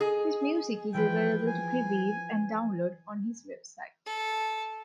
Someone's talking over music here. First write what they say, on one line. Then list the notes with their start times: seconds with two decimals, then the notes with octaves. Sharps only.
His music is available to preview and download on his website.
0.01 G#4 D#5
0.94 E3 F3 B4 G5
1.48 G#5
4.06 A4